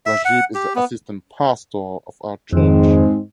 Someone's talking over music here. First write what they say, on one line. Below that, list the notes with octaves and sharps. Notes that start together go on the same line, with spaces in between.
Rajib is the assistant pastor of our church.
E5
F#5
G4
B3
F2 G#2 D#3 G#3 C4